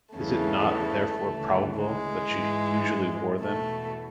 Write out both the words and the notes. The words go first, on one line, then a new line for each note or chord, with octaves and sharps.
Is it not, therefore, probable that she usually wore them?
E2 C#3 E3 A3
D2 C#3 E3
G#3
G#2 E3
E2 B2 A3